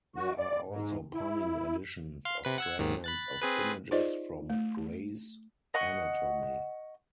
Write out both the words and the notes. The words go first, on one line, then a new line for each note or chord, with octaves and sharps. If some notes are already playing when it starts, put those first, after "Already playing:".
There are also punning additions of fragments of images from "Gray's Anatomy".
F#4
D5
G#2
E4
F5 C6
C3 B4 B6
F#5 E6 G#6
D#2 G#2 D#3
B5 F#6 A6
C4 G#4 B4
D#4 F4 G#4 C5 D5 D#5
A3
D#5 F#5 C#6